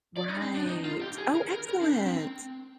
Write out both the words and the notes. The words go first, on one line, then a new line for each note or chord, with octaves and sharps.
Right. Oh, excellent!
D5
D#4
C4
D4
D#4
F4
G4
G#4
A#4
A#4
A#4
D4
C4
C4